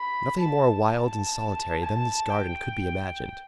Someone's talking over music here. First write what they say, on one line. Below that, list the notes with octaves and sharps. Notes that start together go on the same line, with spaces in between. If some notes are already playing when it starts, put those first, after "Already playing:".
Nothing more wild and solitary than this garden could be imagined.
Already playing: B5
A5
A5
A5
G5